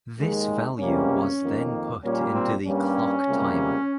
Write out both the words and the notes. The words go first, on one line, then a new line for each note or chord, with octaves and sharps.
This value was then put into the clock timer.
D#2 D#3 G#3
C#2 C3 G3 A#3 C#4
F2 D#3 A#3
A#2 G3 A#3 C#4
C4
G2 G3 A#3 C#4
C#2 C3 G3 A#3